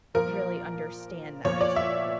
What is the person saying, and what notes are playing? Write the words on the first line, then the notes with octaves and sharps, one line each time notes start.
really understand that
A#2 F3 A#4
A#2 F3 C#5
D5
E5